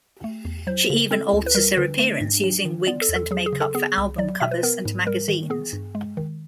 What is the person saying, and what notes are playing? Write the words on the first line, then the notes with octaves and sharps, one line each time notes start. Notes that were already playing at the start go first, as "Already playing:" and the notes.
She even alters her appearance using wigs and make-up for album covers and magazines.
A3
E2
F#3 C5
C#3
C4 A4
D2
B4
G3 A#4
D3 B4
A3
G#2
F#3
D#3
B3 D5
A4
E2
A4
F#3 G#4
G#4
C#3
A4
B3 G#4
C2
F#3 D5
B2 E5
B4
B3 A#4
G#2
G3 A#4
D#3
B3 G#4
G2
G#3
D#3